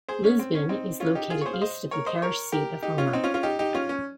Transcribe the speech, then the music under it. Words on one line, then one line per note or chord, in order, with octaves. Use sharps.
Lisbon is located east of the parish seat of Homer.
G#4 C5
C#4
C4
C#4
C4 D#4
C#4 F4
D#4 G4
F4 G#4
C#5
G#4 C5
F5
C5 D#5
A#4 C#5
C5 D#5
A#4 C#5
G4 A#4
D#4 G4
C#4 F4
C4 D#4
C#4 F4
C#4 F4
D#4 G4
D#4 G4
C#4 F4
C#4